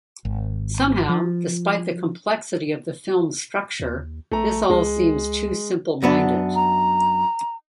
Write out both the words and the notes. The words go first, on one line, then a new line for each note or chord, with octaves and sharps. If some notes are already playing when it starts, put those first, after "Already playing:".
Somehow, despite the complexity of the film's structure, this all seems too simple-minded.
G#1
F3
D#2
A#1 A3 A#5
C#2 G#3
F#2 B3 D4
A#5